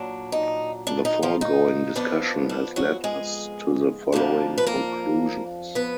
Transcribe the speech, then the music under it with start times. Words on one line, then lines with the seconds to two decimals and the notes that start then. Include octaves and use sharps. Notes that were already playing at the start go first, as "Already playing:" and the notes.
The foregoing discussion has led us to the following conclusions.
Already playing: A#2 F#3 D4
0.32 D#4
0.87 D4
1.05 D#4
1.23 F3 F4
1.41 D#4
1.95 F2 F3 B3 D4
2.49 D4
2.76 F#3 F#4
3.04 G#3 G#4
4.12 F2 F3 A#3 D4
4.58 B4
4.67 A#3 A#4
5.75 B3 B4